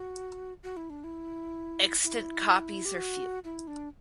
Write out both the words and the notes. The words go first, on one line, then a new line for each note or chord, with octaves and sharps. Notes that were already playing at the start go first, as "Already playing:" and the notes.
Extant copies are few.
Already playing: F#4
F#4
E4
D4
E4
E4
G4
F#4
E4
D4